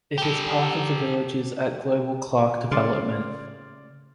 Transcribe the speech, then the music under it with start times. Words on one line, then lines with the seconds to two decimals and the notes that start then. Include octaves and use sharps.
It is part of The Villages at Global Clark development.
0.18 G4 A4
2.71 C#3 D5 C6 F6